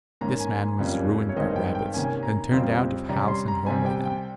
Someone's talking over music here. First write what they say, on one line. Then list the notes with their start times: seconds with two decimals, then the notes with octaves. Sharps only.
This man was ruined by rabbits, and turned out of house and home by them.
0.21 G#2 D#3 A#3 C#4 A#5
0.40 G#5
0.79 F2 C#3 G3 A#3 C#4
1.29 C#5
1.36 G2 D#3 G#3 C4 D#5
1.56 G5
1.75 G5
1.94 C3 D#3 A#3 C#4 G#5
2.23 A#5
2.51 F2 C#3 G3 C4
3.09 C3 G3 C#4 A#5
3.28 C6
3.48 A#5
3.66 C3 G3 C4 G#5
3.86 G5
4.05 G5